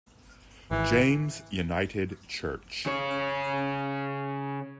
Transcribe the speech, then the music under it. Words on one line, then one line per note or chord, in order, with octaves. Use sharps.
James United Church.
G#1 E3
C#3 C#5